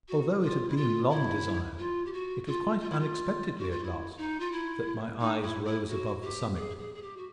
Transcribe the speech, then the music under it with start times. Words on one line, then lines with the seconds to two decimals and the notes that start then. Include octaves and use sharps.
Although it had been long desired, it was quite unexpectedly at last that my eyes rose above the summit.
0.08 F#4
0.42 F4
0.69 E4
0.76 F4
1.10 E4
1.79 F4
2.05 G4
2.13 F#4
2.47 F4
2.81 F4
2.90 E4
2.99 F4
3.58 F#4
3.71 F4
3.84 E4
4.18 D#4
4.40 F4
4.52 E4
5.20 D#4
5.43 E4
5.65 E4
5.89 F#4
6.23 G4
6.56 G#4
6.79 G#4
6.94 G#4
7.02 G4
7.17 F#4